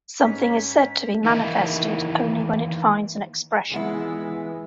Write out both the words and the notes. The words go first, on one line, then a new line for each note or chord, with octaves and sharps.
Something is said to be manifested only when it finds an expression.
G#2 C#4 B6
D#3 E3 A#3 D#4 E4
E3 F3 G#3 B3 E4